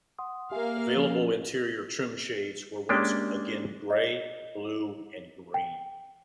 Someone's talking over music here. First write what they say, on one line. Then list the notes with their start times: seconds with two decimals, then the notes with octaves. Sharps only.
Available interior trim shades were once again gray, blue, and green.
0.19 F#5 C6 D#6
0.52 A#3 G4 A#4 E5 F5 G#5
0.96 F3 C#4
2.89 G#3 A#3 C#4 D4 G4
3.90 D#5
5.54 G5